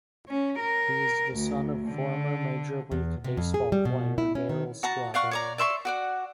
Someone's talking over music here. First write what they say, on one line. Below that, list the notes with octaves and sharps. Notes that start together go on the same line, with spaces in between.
He is the son of former Major League Baseball player Darryl Strawberry.
C#4
A#4
D2
D3
E2
C3
F2
G#4
G3
B2
E4
C#4
D#3
F#4 A5 A#5
D5 F5 F#5 C#6
C#5 D5 A#5
D5 E5 C6 C#6
F#4 D5 F#5